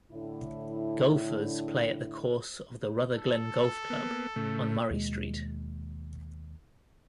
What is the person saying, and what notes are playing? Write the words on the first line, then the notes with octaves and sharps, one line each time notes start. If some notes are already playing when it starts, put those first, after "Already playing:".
Golfers play at the course of the Rutherglen Golf Club on Murray Street.
A2 D3 E4
A4
A#3 B3
A2 C#3 A3
D#2 B2 G#3